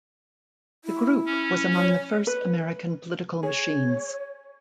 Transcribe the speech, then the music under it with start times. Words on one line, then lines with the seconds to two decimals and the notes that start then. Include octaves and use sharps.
The group was among the first American political machines.
0.85 E4
1.26 C#4
1.74 C#5
2.27 B4
3.43 G#4 C#5